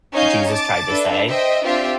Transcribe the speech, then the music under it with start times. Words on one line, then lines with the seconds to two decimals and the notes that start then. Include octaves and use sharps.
Jesus tried to say,
0.13 C#4 D#4 C#5 F5 G#5 G6
0.50 A5 D6 A6
0.89 D4 A4 B4 E5
1.27 C5 D#5 E5 G5
1.64 C4 D4 F4 G4 E5